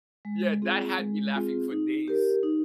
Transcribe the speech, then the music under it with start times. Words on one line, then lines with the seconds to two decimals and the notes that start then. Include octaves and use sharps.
yeah, that had me laughing for days.
0.25 G#3
0.62 C4 F4 G#4
0.98 G#3
1.35 C4 F4 G#4
1.71 D#4
2.08 G4 A#4
2.43 D#4